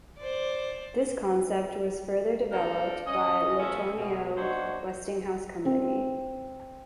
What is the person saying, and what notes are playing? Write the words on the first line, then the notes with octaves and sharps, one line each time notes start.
This concept was further developed by LeTourneau Westinghouse Company.
C5 D5
C4 D4 F4 A4 A#4
C#4 D#5
A#2 F3 A3 C#4 E5
B2
A#3 D4 D#4 F#4 C5 C#5
C4